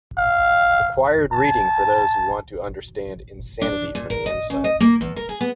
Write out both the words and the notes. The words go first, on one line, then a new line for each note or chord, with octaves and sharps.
Required reading for those who want to understand insanity from the inside.
F5
A5
D4
A#2
A#4
D#5
C#3
D#5
A#3
E2
A#4
G#4
B3